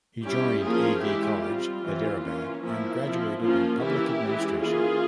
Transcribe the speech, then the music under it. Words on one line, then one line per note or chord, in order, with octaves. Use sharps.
He joined A. V. College, Hyderabad and graduated in public administration.
G3 C#4 E4 G4
F3 A#3 C#4 F4 G#4
E3 G#3 C#4 E4 G4
G3 C4 F4
E3 G3 C4
E3 A#3 C#4
F3 A#3 C#4 E4
F3 C4
F3 A#3 C#4 F4
E3 A#3 C#4 E4 G4
E3 G#3 C#4
E3 A#3 C#4 F4 G#4